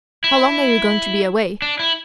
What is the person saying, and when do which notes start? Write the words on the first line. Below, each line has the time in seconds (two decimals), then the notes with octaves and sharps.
"How long are you going to be away?"
0.24 E4
1.62 D4
1.79 E4